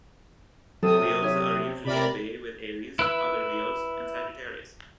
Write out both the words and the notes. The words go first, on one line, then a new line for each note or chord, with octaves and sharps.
Leos are usually at bay with Aries, Other Leos and Sagittarius.
C3 F#3 A4 D#6
C#5 E5
C3 A#4 D5 B5
E4 B4 E6